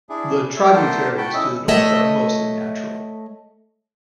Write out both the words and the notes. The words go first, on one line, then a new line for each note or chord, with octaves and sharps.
The tributaries to the north are mostly natural.
D4 E4 G#4
C#5 E5
A3 B3 D4 A#4 C5 A5
F#4 G5 A5 B5
C#4 E4 A4 D#5
A3 C#5 D#5 E5